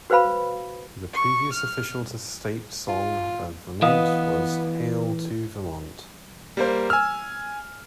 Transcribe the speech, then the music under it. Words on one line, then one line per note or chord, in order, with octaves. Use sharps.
The previous official state song of Vermont was "Hail to Vermont!".
F#4 B4 C5 F5 B5
C#6
F6
F4
E3 B3 D#5 F5 D#6
G3 A#3 C5
G#5 E6 F6